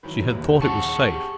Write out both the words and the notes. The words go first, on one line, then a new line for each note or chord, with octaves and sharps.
She had thought it was safe.
D#3 E3 F#3 B4
D#1 A#1 D#2
G#4 F#5 A5 C#6
G4